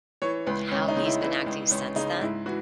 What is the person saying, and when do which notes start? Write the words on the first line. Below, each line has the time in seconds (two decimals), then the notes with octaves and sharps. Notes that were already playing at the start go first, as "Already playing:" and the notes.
how he's been acting since then.
0.22 E3 C#5
0.46 C#2 B4
0.71 C#2 C#4
0.88 D#4
0.97 C#3
1.05 E4
1.21 E3 E4
1.46 C#2
1.71 C#2 C#4
1.96 C#3 D#4
2.21 G#2 E4
2.46 E3 F#4